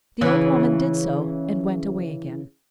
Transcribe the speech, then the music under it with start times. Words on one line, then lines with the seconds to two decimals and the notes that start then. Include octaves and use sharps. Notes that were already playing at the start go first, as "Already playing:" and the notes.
The old woman did so and went away again.
0.21 C#3 E3